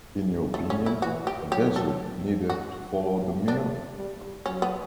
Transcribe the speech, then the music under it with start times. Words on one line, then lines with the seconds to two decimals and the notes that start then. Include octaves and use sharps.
In your opinion, a dessert needed to follow the meal?
0.54 A3
0.70 C#4
0.86 E4
1.02 E3 F#4
1.27 G4
1.52 F#3 G4
1.76 A4
2.50 F#4
2.98 F#3
3.48 D4
3.97 G3
4.46 F#3 C#4
4.62 B3